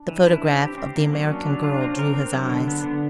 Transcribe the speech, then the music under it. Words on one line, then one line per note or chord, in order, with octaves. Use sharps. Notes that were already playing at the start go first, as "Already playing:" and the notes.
The photograph of the American girl drew his eyes.
Already playing: D4
E3
E4
C4
D4 G4
C#4
C4
A#3 C#4
F#3
D#4
C#4 D4
F#3
F4
C4
C#4
D4 A#4
C4
F#3
D3
B3 D4
D3